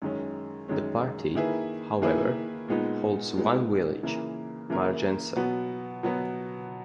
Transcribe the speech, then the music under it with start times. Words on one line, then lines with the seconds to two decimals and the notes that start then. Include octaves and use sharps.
The party, however, holds one village, Margencel.
0.02 F#2 D#3 G#3 C#4
0.68 F#2 D#3 G#3 C#4
1.35 D#3 A#3 E4 G#4 B4
2.02 D#3 A#3 E4 G#4 B4
2.68 A#2 G#3 B3 D#4
3.36 A#2 G#3 B3 D#4
4.03 C#3 E3 A#3 E4 A#4
4.70 C#3 E3 A#3 E4 A#4
5.36 B2 F#3 B3
6.03 B2 F#3 B3